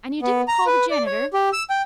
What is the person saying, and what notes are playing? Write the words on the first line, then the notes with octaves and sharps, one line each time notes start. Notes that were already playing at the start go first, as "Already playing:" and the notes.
"And you didn't call the janitor?"
B3
A#5
B4
D5
C#5
G4
E6
G5